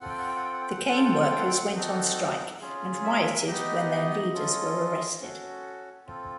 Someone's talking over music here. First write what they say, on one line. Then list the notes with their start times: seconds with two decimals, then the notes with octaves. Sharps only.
The cane workers went on strike and rioted when their leaders were arrested.
0.01 C4 F4 A4 F#5
0.10 G5
0.18 F#5
0.27 G5
0.36 F#5
0.44 G5
0.53 F#5
0.62 G5
0.70 F#5
0.79 G5
0.87 C4 F4 A4 F#5
0.96 G5
1.05 F#5
1.14 G5
1.22 F#5
1.31 G5
1.40 F#5
1.49 G5
1.57 F#5
1.74 C4 D#4 F#4 A4
2.61 C#4 F4 G#4
3.04 E5
3.47 B3 D#4 G4 D#5
4.34 C#4 F4 A4
5.20 C#4 F#4 A4
6.06 C4 F4 A4